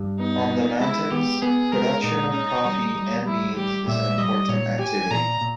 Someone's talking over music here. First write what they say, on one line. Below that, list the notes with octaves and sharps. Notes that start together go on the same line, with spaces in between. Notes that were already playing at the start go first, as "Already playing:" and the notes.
On the mountains, production of coffee and beans is an important activity.
Already playing: G2
B3 D#4
B3
G#3 E4
B3 G4
B3 G#4
G#3 A#4
A#2 D#4
C#4
G3
G3
G3 E4
G3 G4
A#2 E5
G3 D#5
A#2 C#5
G4 G#5
A#2 A#5
A#2